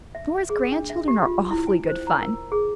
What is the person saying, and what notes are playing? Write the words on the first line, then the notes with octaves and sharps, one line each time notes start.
Nora's grandchildren are awfully good fun.
E5
G#4
D4
E5
G4
F4
E4
G#5
C5
A#5
A#4
G#4